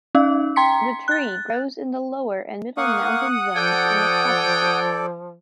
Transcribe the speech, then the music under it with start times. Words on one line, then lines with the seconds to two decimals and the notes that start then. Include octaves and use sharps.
The tree grows in the lower and middle mountain zones in the Caucasus.
0.15 C#4 D#4 F5
0.56 G5 A#5 C6 B6 C#7
1.08 F#6 A6
2.77 A#3 F5 F#5 C#6 D#6
3.56 F3 A4 C#5 D5 G5